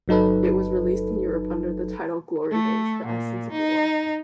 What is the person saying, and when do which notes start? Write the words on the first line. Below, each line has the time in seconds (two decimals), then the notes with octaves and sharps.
It was released in Europe under the title Glory Days: The Essence of War.
0.08 G1 F#3 D#4 A4 B4
2.52 A3
3.06 A#2
3.52 D#4